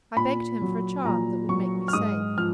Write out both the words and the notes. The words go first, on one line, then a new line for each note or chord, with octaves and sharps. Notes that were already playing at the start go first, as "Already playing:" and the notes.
I begged him for a charm that would make me safe.
A#2 B5
F#3
A#2 A#5
F#3 C#6
F6
G#2 D#6
F3 F6